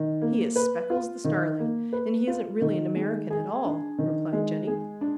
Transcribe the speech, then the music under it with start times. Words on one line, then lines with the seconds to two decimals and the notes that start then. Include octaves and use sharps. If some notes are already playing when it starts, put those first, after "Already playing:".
"He is Speckles the Starling, and he isn't really an American at all," replied Jenny.
Already playing: D#3
0.22 A#3
0.56 B4
0.90 F4
1.24 D#3
1.59 A#3
1.93 B4
2.27 F4
2.61 D#3
2.96 G#3
3.31 G#4
3.65 D4
3.98 D#3
4.33 G#3
4.67 G#4
5.01 D4